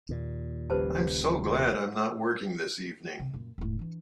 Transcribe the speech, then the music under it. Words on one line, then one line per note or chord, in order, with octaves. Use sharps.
I'm so glad I'm not working this evening!
D#2 A#2
D#1 A#1 C#3 G3 B4 C5 A5
C3
F#2 A#2
E1 A2
E3 D4